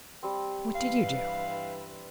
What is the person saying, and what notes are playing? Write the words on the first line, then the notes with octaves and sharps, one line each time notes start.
"What did you do?"
G3 C4
G2 E3 B4 F5